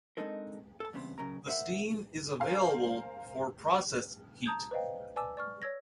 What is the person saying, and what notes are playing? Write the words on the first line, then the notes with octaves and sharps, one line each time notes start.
The steam is available for process heat.
G#3 C4 D4 D#4 A4 A#4
A4 A5
E2 G2 C#3 B3 C4
F#2 C#3 A#4 A#5
A#4 C5 D#5 E5 F#5
A#4 C5 F5 G#5
A5 A#5 D#6 G6 G#6
B4 C5 D5 D#5 F5 G5
B4 D5 G#5 A5 D6 E6
D5 C#6 F6
C#5 E6 G#6 A#6